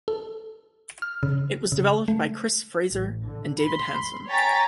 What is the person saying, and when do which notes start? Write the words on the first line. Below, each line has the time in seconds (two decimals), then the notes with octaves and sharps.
It was developed by Chris Fraser and David Hanson.
0.08 A4
1.02 F6
1.23 C#3
1.72 C#3
2.08 A3
2.91 A1
3.25 D3
3.60 B5 C6
4.28 C#5 G5 G#5 A#5 A6 B6